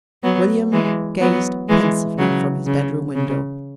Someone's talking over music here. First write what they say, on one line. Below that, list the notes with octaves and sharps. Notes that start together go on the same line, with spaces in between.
William gazed pensively from his bedroom window.
F#3 B3
E3 G#3
F#3 B3
E3 G#3
C#3 F#3
C#3
C#3